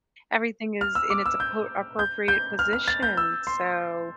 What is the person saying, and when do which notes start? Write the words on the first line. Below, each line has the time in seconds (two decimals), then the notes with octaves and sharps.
everything is in its apo appropriate position," so,
0.81 F6
0.95 E6
1.10 D6
1.26 E6
1.40 G6
1.99 G6
2.28 G6
2.59 F6
2.73 F6
2.88 A6
3.03 G6
3.17 E6
3.47 C6